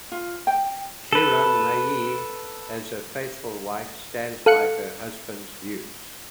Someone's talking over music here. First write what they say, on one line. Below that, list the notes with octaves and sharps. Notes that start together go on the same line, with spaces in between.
Kiranmayee as a faithful wife stands by her husband's views.
F4
G5
A4 B4
A4 F5 F#6 C#7